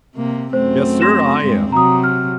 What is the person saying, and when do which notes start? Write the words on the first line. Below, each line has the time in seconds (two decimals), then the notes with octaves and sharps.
"Yes, sir, I am."
0.16 C3 A#3
0.53 F#2 A3 C4 C5
1.01 C6 A#6 E7
1.43 G2 G#3 C4
1.72 C3 F#3 A#5 D#6
2.04 F6